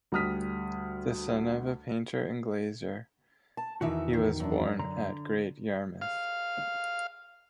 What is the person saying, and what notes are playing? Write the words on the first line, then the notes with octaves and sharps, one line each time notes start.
The son of a painter and glazier, he was born at Great Yarmouth.
D2 G3 D#6 F6 B6
A5
E2 D#3 E3 D#4 F#4 E5
D#3
F#2 D4
D3 A#5
F5